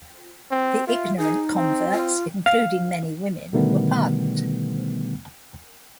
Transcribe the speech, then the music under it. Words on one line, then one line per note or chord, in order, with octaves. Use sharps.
The ignorant converts, including many women, were pardoned.
C4
F4 E5
D#4 G#4
C4
F4
F5
B2 D3 D#3 G3 A3 B3